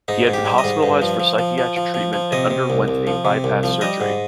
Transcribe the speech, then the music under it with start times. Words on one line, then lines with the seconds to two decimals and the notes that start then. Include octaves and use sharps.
He had been hospitalized for psychiatric treatment and underwent a bypass surgery.
0.08 G#2 D#4
0.27 G#2
0.33 G4
0.46 G3
0.58 D#5
0.64 G#2
0.83 G2
1.02 F3
1.20 F3
1.39 F3
1.58 F3
1.76 F3
1.94 F3
2.13 F3
2.32 C3 D#5
2.51 C3
2.70 C2
2.88 C2
3.07 F3
3.25 C3
3.44 C2
3.63 F3
3.81 G3 D#5
4.01 G#2